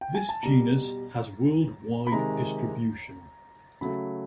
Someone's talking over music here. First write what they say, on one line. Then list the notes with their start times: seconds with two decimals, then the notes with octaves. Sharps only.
This genus has worldwide distribution.
0.01 G5
0.15 G#5
0.29 A5
0.43 B2 G3 A#5
2.07 B5
2.12 C3 D#3 G#3 A#5
3.81 C#3 F#3 A3 B5